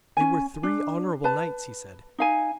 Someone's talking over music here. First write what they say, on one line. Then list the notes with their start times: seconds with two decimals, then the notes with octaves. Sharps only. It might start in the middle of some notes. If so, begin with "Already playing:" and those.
'They were three honourable knights,' he said.
0.17 C#4 G#5
0.63 D4
1.24 B4 A5
2.18 D#4 F5 G#5